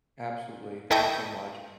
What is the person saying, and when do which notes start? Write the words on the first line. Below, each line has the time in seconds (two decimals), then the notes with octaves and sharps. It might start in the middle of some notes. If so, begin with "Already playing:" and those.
Absolutely. Thank you so much.
0.91 E4 A4 D#5 G5 C#6 D#6